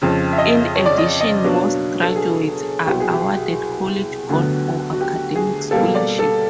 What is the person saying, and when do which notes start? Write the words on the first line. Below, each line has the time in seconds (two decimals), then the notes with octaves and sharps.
In addition, most graduates are awarded college golf or academic scholarships.
0.02 F2 C#3 F3
0.33 E5
0.38 D#5
0.76 C#5
0.86 D5
0.98 D#5
1.21 D#5
1.44 B2 F#3 A#3 D4 C#5
2.03 A4
2.16 G#4
2.86 C2 B2 F#3 G4
3.00 G#4
3.13 G4
4.29 D2 D3 F#3 B3
4.93 F#4
5.01 G4
5.36 G#4
5.71 B2 G3 A#3 A4
5.95 D5
6.19 A4